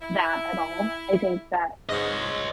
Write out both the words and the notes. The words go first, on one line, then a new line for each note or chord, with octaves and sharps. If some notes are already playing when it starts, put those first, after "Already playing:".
that at all. I think that,
E4
G#2 C#5 D#5